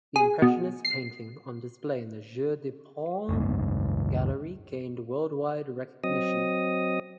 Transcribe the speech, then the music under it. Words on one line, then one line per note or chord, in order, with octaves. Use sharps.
The Impressionist paintings on display in the Jeu de Paume gallery gained worldwide recognition.
G#4
B2
C7
F#1 C#2 G#2
F#3 C4 D#5 D#6